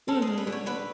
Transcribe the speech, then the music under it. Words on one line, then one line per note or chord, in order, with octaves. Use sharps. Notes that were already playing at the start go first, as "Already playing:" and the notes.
Mhm. M
G#3 A4
G#4
D3
B4
D3
C#5
D3 B4